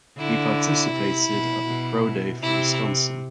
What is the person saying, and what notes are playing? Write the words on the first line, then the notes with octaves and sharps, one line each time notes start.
He participated at the pro day for Wisconsin.
D3 E4
C3
B2
B2
C3 E4